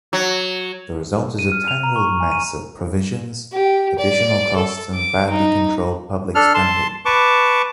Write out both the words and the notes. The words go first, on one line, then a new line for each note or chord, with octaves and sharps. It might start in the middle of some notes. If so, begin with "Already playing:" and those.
The result is a tangled mess of provisions, additional costs and badly controlled public spending.
F#3
D#7
F6
F7
A#5
C#6
G#5
D#7
G4
D5
A4
D6
D#4
D4 A4 F6
A5 C6
B4 A5 C#6 D6